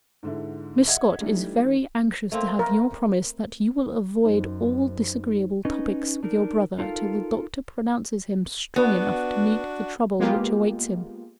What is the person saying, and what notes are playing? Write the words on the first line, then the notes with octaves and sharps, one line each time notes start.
"Miss Scott is very anxious to have your promise that you will avoid all disagreeable topics with your brother till the doctor pronounces him strong enough to meet the trouble which awaits him."
G#2 D3 E4
D#5 E5 F#5 G#6
E3 G3 A3 D4 D#4
D#3
A3 A#3 C4
A#4
F#2 D#4 C5
C#4 D#4 B4 D#5
D4 D#4 A#4
D#4 F4 A4 A#4 F5
B3 D4 F#4
G#3 A#3 B3 F4 G4